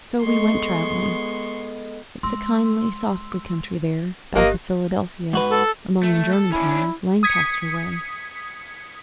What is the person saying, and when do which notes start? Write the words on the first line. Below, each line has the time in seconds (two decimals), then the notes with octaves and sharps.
So we went travelling. It's a kindly, softly country there, back of Philadelphia among the German towns, Lancaster way.
0.22 G#3 B3 A4 D#5 C6 C#6
2.23 G#3 C6 E6
4.35 G1 E3 A#3 G4 D#5
5.33 G#2 F#4 B4
5.50 A4
6.03 A3
6.33 A4
6.52 C#4 D4 E4
7.23 D#6 G#6 B6 C#7